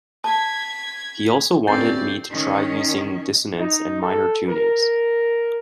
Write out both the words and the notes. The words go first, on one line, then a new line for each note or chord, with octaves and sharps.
He also wanted me to try using dissonance and minor tunings.
A5 G#6 B6
D2 G2 C4 C#4 D5 G6 A6 C7
D#3 C#4
D#4
A4
A#4